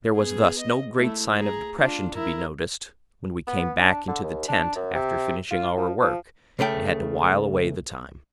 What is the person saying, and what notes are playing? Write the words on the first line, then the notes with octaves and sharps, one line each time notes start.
There was thus no great sign of depression to be noticed when we came back into the tent after finishing our work, and had to while away the time.
B3 G#4
D#5
A3 E4
G#4 A#5
D4 F4
E4 A#4
B3
D4
D3
D#2
D4
F#2
C3
F4
F3
F3
C#2 C#3 A3 G5